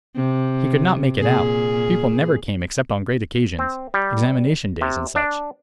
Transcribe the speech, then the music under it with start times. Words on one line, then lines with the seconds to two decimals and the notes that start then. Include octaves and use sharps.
He could not make it out; people never came except on great occasions,--examination days and such.
0.15 C3
1.19 A#2 G#4
3.59 C4
3.94 G3
4.81 C3
5.16 D4